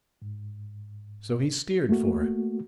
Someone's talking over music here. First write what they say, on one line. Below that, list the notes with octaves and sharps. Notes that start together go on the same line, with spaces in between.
So he steered for it.
G#2
A3 A#3 F#4